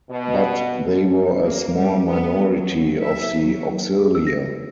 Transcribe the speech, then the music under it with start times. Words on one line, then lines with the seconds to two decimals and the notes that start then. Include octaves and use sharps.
But they were a small minority of the "auxilia".
0.11 B2
1.44 A#3
1.77 G3
2.09 B3
2.56 F#3
3.03 E5
3.42 F#3
4.00 G#4
4.15 E6
4.27 A#6